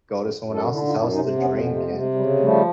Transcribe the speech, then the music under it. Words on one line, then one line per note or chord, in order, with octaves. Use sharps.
go to someone else's house to drink, and,
F#2
F#2
A4
D3 F#4 G#4
D4 E4
F#2 D#4 F4
D4 E4
C3 C#4 D#4
F2 B3 C#4
C3 B3 C#4
A#3 C4
C3 A3 B3
G#3
C#3 G3
F3 G3 A3